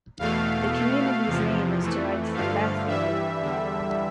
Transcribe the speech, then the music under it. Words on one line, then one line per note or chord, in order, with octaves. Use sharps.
The community's name is derived from Bath, England.
E2 B2 A3 F5
B2 A3
E2 C3 F3
F2 E3 A3
G2 D3 F3 A3 F5
G2 E3 G3 E5
E2 D3 G3